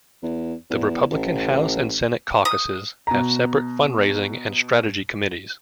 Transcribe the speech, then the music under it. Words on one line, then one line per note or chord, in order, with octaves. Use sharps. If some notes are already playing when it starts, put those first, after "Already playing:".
The Republican House and Senate caucuses have separate fundraising and strategy committees.
E2
E2
A1
D#6
B2 A#5